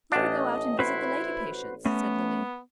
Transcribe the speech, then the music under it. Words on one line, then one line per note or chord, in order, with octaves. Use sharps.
"Let her go out and visit the lady patients," said Lily.
A1 D4 D#5
E4 F#4 B4 C5
A3 B3 C#4